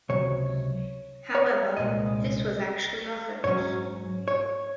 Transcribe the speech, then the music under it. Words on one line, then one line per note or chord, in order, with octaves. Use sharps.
However, this was actually a hoax.
C#2 C3 F#3 C#5
C#5
C2 A#2 G#3 D#5
G#2 F#3 C#4 C#5
C#5